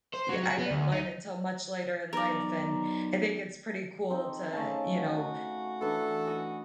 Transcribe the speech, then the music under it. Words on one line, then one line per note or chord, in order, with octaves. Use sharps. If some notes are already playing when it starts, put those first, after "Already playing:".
y I didn't learn until much later in life and I think it's pretty cool to, you know,
C5
F#3
F#4
B3
D2
D#4
B1 A#4 D5
C4 D#4 A4
C#3 A3 A5
F#4
E3 D4 A4
F#4 D#5